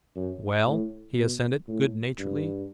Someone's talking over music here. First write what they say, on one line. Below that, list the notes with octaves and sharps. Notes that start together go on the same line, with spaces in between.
"Well?" he assented, good-naturedly.
F#2
A2
B2
A2
G2